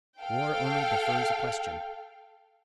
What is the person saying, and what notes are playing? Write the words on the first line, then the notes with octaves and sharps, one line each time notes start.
War only defers a question.
A4 F5 G5